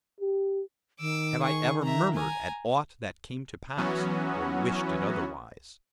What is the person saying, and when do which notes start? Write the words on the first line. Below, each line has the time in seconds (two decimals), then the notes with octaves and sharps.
Have I ever murmured at aught that came to pass, or wished it otherwise?
0.21 G4
1.00 D#3 D6 E6
1.42 G#4 C#6
1.83 E5 A#5
2.15 G#5 A#5
3.77 E3 F#3 B3 C#4 F#4